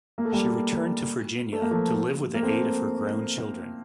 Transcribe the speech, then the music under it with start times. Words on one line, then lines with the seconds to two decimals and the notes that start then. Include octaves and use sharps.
She returned to Virginia to live with the aid of her grown children.
0.18 A#3
0.25 A3
0.32 G3 A#3
1.53 A3
1.62 A#3
1.71 F3 A3
2.34 A#3
2.43 A3 C4